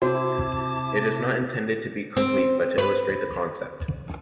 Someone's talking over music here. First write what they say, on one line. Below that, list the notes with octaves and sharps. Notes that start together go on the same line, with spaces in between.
It is not intended to be complete but to illustrate the concept.
C3 C4 E4 F#4 A5 D6
C4
B4